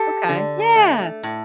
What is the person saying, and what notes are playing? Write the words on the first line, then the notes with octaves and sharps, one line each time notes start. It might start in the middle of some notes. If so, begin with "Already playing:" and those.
Ma okay, yeah.
Already playing: G4 A4
D3
A3
A2